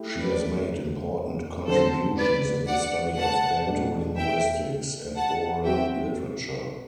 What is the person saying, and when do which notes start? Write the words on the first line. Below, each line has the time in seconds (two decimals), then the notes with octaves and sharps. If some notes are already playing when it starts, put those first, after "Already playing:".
She has made important contributions in the study of Bantu linguistics and oral literature.
Already playing: A3 E4 G4
0.19 B4 D5
1.68 D3 F#3 C4 A4 C5
2.18 B4 D5
2.67 D5 F#5
3.17 F#5 A5
3.66 B2 A3 D4 G4
4.16 E5 G5
5.16 F#5 A5
5.65 F#3 C4 F#4 E5 G5